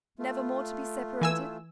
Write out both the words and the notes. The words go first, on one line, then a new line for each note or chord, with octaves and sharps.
"Never more to be separated?"
A3 F4
E3 G#5 E6